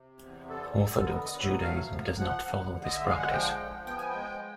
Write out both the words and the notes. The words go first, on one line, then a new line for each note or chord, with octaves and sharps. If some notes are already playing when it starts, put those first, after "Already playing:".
Orthodox Judaism does not follow this practice.
Already playing: C3
E2
D3 A4
D3
A4
B3 A#4
D#5
F#3
E5
A3 F5
F3
F3 F#5
D3
D3
D#5
E5
G#3 F5
F#5
F3 G5
F3
B3 G5
G#5
G#3 G5